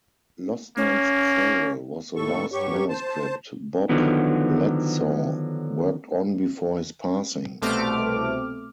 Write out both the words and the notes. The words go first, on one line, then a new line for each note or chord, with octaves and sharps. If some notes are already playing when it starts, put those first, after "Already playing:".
"Lost Man's Trail" was the last manuscript Bob Bledsaw worked on before his passing.
A#3 C#4
D#2 A2 A4 C#6
G2 F#3 G4 C#6
C5 A5
D3 D#3 F3 F#3 B3
C2 B2 A3 C4 D6 F6